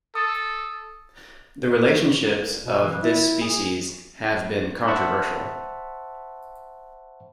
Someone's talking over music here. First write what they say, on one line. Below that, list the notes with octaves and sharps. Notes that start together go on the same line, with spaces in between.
The relationships of this species have been controversial.
A4 D#6
C2
B2
E3
E4
G#4
C5 E5 F#5 A5 B5 C#6